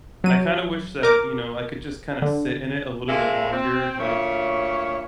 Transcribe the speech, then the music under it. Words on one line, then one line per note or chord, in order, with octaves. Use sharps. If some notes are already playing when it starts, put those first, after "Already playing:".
I kinda wish that, you know, I could just kinda sit in it a little bit longer, like,
F#3 D#7
A#4 D6
D3
G#3 A#3 C4 A4 E5
C4
D2 A#2 C#4 C#5 E5